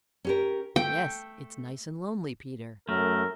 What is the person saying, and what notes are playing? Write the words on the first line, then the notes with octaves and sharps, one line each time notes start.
"Yes; it's nice and lonely, Peter."
C#4 G4 A#4
A3 G5
F#2 A3 A#4